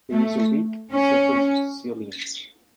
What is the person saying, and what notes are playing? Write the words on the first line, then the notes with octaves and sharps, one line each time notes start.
There is a weak supercilium.
A3
C#4